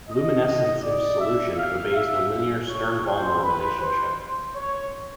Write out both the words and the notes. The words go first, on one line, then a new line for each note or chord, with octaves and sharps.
Luminescence in solution obeys the linear Stern-Volmer relationship.
D#5
D#5
D5
E5
F5
E5
C#5
C5
B4
C5
C#5